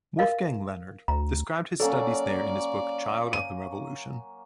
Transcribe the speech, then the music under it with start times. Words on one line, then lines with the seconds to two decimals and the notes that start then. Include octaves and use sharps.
Wolfgang Leonhard described his studies there in his book "Child of the revolution".
0.19 A#4 D#5 F5
1.08 D2 A#5
1.80 F#3 A#3 C#4 A4 D5
3.33 D#7